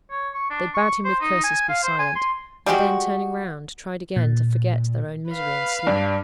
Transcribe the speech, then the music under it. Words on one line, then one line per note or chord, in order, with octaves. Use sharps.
They bade him with curses be silent; and then turning round, tried again to forget their own misery in sleep.
C#5
C#6
D4
C#6
C5
D#4
G#5
F5
C5
G#5
C6
G3 G#3 F#4 G4
A#2
B4 F5
G2 D4